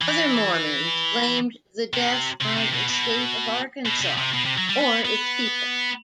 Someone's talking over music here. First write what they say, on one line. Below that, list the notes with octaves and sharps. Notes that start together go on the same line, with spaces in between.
Other Mormons blamed the death on the state of Arkansas, or its people.
E3
C3
C3
C3
B2
B2
B2
C3
C3
B2
C3
F#3
G3
B3
B3